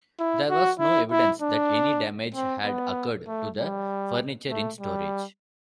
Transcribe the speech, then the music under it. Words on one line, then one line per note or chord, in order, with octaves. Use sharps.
There was no evidence that any damage had occurred to the furniture in storage.
E4
F#4
E4
E4
D4
C4
B3
A3
G3
A3
G3